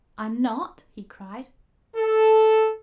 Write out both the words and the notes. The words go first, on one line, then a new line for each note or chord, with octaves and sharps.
"I'm not?" he cried.
A4